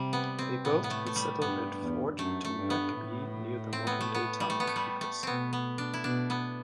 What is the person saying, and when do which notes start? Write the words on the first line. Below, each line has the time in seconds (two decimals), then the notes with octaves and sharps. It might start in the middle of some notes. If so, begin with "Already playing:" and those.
They built and settled at Fort Tombecbee, near the modern-day town of Epes.
Already playing: C3 G3
0.13 B3
0.39 C4
0.65 A2 B3
0.84 B3
0.90 A3
1.07 A3
1.16 G3
1.41 G2 B3
1.80 E2
2.19 F#2 A3
2.45 A3
2.57 G2
2.70 B3
2.96 A2
3.73 C4
3.87 B3
4.01 A3
4.15 B3
4.40 G3
4.50 A3
4.60 B3
4.67 A3
4.76 G3
5.01 A3
5.23 B2 B3 C4
5.53 B3
5.78 D4
5.94 E4
6.04 B2 D4
6.30 B3